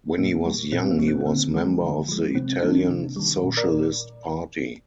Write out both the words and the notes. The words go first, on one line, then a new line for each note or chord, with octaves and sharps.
When he was young he was member of the Italian Socialist Party.
A#2 A#3
G3
A#2 C4
A#3
G3
C4
C4
D3 A#3
F3 G#3
D3
F3 G#3
C3 C4
C4
D#3 G3 A#3 D4
C3
D#3 G3
A#2
A#4 D5